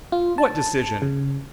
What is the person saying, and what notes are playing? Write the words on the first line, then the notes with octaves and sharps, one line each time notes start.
What decision?
F4
A5
C#3